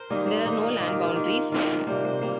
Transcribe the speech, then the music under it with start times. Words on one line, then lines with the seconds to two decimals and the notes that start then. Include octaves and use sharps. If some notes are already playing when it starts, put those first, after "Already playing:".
There are no land boundaries.
Already playing: A#4 C5
0.10 D#3 G3 A#3 D#5
0.27 C5
0.45 D#3 A#3 D#4
0.62 F4
0.80 D#3 A#3
0.87 G4 A#4
1.04 F4
1.16 D#3 A#3
1.52 D#3 A#3 F4
1.87 C3 G3 A#3 C5
2.05 C5
2.21 G3 A#3 C5